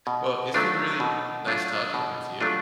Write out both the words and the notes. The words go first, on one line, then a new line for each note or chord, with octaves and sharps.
Well, it's been really nice talking with you.
B2
F#3 A3 D4 F4
B2
F#3 A3 D4 F4
B2
F#3 A3 D4 F4